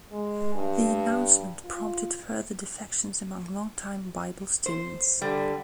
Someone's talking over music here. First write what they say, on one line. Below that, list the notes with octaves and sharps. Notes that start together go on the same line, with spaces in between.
The announcement prompted further defections among long-time Bible Students.
G#3
G2
F4
C5
D3 G3